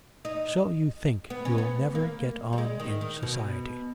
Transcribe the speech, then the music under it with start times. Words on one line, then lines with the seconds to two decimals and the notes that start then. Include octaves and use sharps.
So you think you'll never get on in society.'
0.25 D#4
1.30 B3
1.45 C#4
1.58 B3
1.95 A#3
2.53 G3
2.58 G#3
2.80 D#3
3.01 D#3
3.23 B2